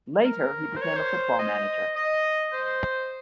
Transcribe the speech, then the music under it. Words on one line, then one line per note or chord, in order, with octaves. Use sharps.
Later he became a football manager.
A#4
C5
C#5
C5
D#5
D#5
C5